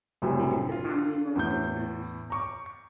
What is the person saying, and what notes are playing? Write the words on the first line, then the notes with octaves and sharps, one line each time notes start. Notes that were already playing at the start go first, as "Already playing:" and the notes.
It is a family-run business.
F#1 F#2 A2 C3 G3 C4
F4
E2 A2 G6
A#5 C#6 D6